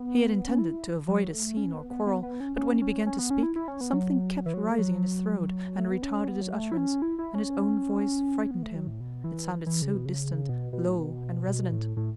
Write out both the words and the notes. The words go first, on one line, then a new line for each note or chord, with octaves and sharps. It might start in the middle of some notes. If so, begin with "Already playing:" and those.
He had intended to avoid a scene or quarrel, but when he began to speak, something kept rising in his throat and retarded his utterance, and his own voice frightened him, it sounded so distant, low, and resonant.
Already playing: B3
C#4
E4
F#3
A3
C#4
B3
B3
B3
B3
C#4
C#4
C#4
C#4
B3
C#4
E4
E4
C#4
B3
F#3
E3
F#3
A3
F#3
A3
B3
C#4
B3
F#3
A3
E4
C#4
E4
E4
C#4
B3
A3
F#3
A2
B2
E3
E3
C#3
B2
C#3
B2
B2
A2
B2
B2
A2
A2